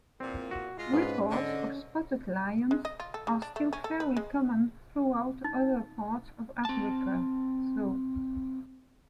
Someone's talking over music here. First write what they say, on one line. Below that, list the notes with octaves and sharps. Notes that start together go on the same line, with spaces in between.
Reports of spotted lions are still fairly common throughout other parts of Africa, though.
E2 A#2 C4
F#4
G#3 F4 A#6
G#2 C#4 B4
D3 D#5
G#3
D#5
F4
A4
C#3
D4
A3
C#4
A4
B4
G#3
D#4
C4 A5